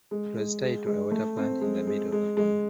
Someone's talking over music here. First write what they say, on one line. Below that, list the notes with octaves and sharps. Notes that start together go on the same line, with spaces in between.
It was tied to a water-plant in the middle of the pond.
G#3
G#3
G#3
G#3
A3
C4
G#3
G#3
G#3
G#3